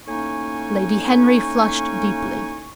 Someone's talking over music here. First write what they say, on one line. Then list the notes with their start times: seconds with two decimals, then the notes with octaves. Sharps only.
Lady Henry flushed deeply.
0.07 A2 A#3 C#4 D#4 G#5 C#6